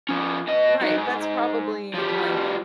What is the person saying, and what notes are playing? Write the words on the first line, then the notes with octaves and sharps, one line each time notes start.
Right, that's probably, like,
F3 C#4
B2 D#5
F#3 D#4
G#2
F3 G3